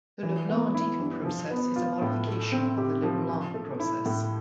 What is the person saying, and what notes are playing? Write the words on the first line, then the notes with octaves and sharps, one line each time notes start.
The Leblanc-Deacon process is a modification of the Leblanc process.
E3
B3
E4
G2
F3
B3
F4
A2
A3
C4
G4
F3
F3
A3
E4
A2